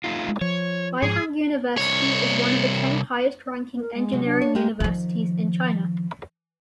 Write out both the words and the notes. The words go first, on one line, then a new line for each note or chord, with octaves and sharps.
Beihang University is one of the ten highest ranking engineering universities in China.
A3 D#4 F4
G#3
F3 C#5
G#2 F3 G#4
C2 C#5
A#4
G#3
C3 F#3
D4
C#5
G#3 A#3 G4
D#3 F3